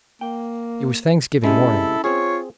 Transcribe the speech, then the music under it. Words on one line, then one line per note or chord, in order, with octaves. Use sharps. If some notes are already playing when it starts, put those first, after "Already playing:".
It was Thanksgiving morning.
A#3 G5
C3 G#3 C#4 E4 A4
C4 F4 G#4 C#5